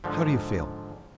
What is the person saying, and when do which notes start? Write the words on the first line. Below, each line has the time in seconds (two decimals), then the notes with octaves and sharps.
"How do you feel?"
0.04 G#2 D3 F3